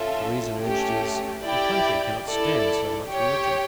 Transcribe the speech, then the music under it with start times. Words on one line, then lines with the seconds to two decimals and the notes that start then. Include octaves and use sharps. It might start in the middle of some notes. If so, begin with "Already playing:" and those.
The reason urged is--the country cannot stand so much religion!
Already playing: C#4 F4 A4 E5
0.62 A3 C#4 G4
1.43 E4 G4 D5 G5
2.26 E4 A4 D5
3.08 G4 C#5 G5